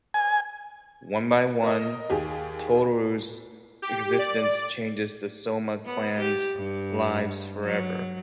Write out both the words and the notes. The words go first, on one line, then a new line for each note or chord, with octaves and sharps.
One by one, Tohru's existence changes the Sohma clan's lives forever.
G#5
A#4 D#5
D#2 G4 G#4
G4
D5
B3
G4
G2
F#3